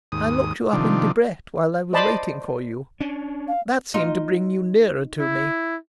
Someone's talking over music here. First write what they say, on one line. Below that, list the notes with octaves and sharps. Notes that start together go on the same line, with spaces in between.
I looked you up in Debrett while I was waiting for you. That seemed to bring you nearer to me.
D#2 G#2 D#6
C3 D#3 F3 D4
C5 D5 D#5 A5 B5 C6
C#4 D4
F5
D#4 F4
E4